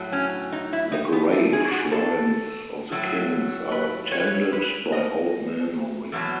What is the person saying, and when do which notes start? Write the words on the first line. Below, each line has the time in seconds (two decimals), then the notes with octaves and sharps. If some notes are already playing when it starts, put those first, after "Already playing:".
The grave-shrines of the kings are tended by old men or women.
Already playing: A2 F#3
0.12 C#4
0.52 D#4
0.73 E4
0.92 D#4
1.12 B3
1.32 A3
1.53 G#4
1.72 F#4
1.92 A4
2.92 A2 F#3
3.71 B4
4.12 C#5
4.20 B4
4.27 C#5
4.52 B4
4.92 D#5
6.12 E2 B2 F#3